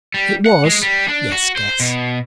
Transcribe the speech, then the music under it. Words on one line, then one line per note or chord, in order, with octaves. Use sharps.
It was--yes, guess!
G3
F#5
G#3
G3
D4
F#4
C5
B2